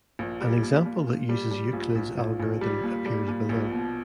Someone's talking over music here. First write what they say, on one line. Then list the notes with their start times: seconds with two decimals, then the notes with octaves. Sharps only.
An example that uses Euclid's algorithm appears below.
0.19 A#1
0.41 G3
0.63 A#2
0.85 A#2
1.07 A#2
1.29 G3
1.51 G3
1.73 A#1
1.95 A#1
2.17 A#1
2.40 A#1
2.61 G3
2.83 A#2
3.06 G3
3.28 A#2
3.49 A#1
3.71 B2